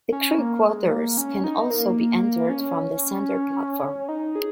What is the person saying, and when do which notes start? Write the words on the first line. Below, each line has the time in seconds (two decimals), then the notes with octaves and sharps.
The crew quarters can also be entered from the center platform.
0.12 C#4
0.38 A#3
0.65 G#3
0.91 A#3
1.17 C#4
1.44 D#4
1.70 A#3
2.49 C#4
4.09 D#4
4.35 G#4